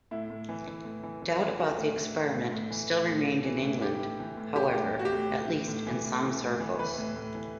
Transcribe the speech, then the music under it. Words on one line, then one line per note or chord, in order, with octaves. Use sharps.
Doubt about the experiment still remained in England, however, at least in some circles.
A2 E4
A2
E3
E3
A2
E3
E3
E3
E3 F#4
A2
A2
A2
A2
A2
E3
A2
A2
A2
E3
A2
A2 G4
A2
E3
A2
E3 G4
A2
A2
F#4
G4
A2
A2
A2
A2
E3
A2
E3
A2
E3
E3 B4
A2
A2
E3